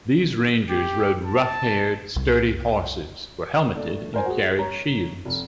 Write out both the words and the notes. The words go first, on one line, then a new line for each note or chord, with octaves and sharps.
These Rangers rode rough-haired, sturdy horses, were helmeted and carried shields.
G4
A5
C2
A3 D4
A#4 C5 G#5
F#4 G#4
C#5 A#5
F1